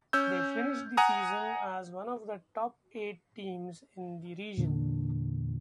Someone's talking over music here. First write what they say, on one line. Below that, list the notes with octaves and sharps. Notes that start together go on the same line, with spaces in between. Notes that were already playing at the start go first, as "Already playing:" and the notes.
They finished the season as one of the top eight teams in the region.
C#4 E6 G6
F#5 G#5 A#5 D#6
E2 A#2 D3 D4